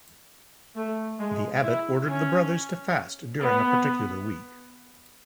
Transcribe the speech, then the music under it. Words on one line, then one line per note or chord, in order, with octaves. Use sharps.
The abbot ordered the brothers to fast during a particular week.
A3
G#3
E4
C#4
B3